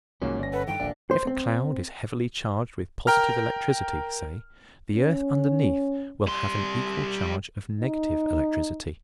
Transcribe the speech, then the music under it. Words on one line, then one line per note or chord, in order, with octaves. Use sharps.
If a cloud is heavily charged with positive electricity, say, the earth underneath will have an equal charge of negative electricity.
C2 G#2 F3 A#3 C#4 F#4
G1 B2 D5 A#6
A4 B4 F#5
G2 D#3 E3 G5
D#1 A#1 A#3 D4
C5
C4
A#4 G5 A#5 F6
C#4
G3 C6
D#4